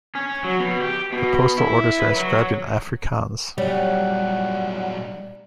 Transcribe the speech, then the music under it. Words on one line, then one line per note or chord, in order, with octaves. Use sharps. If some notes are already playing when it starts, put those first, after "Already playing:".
The postal orders are inscribed in Afrikaans.
C#4
F#3
B2
G4
B2
E4
B4
F#3
A#2 F#3 G3 C#5 F#5